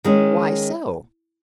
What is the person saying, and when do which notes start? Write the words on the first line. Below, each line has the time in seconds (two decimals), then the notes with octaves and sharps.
"Why so?"
0.04 D#3 G#3 C#4